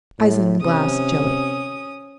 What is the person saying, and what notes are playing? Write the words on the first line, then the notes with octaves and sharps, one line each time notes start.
Isinglass Jelly.
A2
C3 C#4 D#6